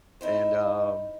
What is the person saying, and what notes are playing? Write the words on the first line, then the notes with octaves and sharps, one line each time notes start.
And, um
D#4 E4 C5